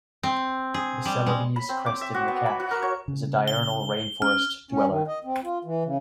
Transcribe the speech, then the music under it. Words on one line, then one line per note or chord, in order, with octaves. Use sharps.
The Celebes crested macaque is a diurnal rain forest dweller.
C4
G#4
G3
G#3
B5
C4
D6
E5
F#4
B3
B5
F#4
A#4
C#5
C#3
G7
C#4 F6
C#4
D#3
D#5
C4
F4
E3
C#3